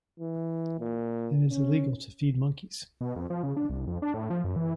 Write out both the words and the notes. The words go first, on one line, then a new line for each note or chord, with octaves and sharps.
It is illegal to feed monkeys.
E3
A#2
C#4
B2
F2
F3
C#3
D4
C2
F2
D4
A2
F3
F#2
E3